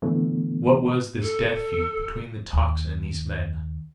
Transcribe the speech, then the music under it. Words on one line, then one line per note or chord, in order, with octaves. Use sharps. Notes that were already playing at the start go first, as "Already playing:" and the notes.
What was this death feud between the Tocsin and these men?
A#2 D3 E3 A3 B3
A4
D#2